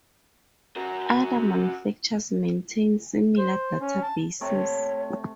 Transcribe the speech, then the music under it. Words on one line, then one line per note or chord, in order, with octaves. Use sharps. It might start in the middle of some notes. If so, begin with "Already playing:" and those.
Other manufacturers maintain similar databases.
F#4 A#4
C5
C#4
A5
C3 A3 C#5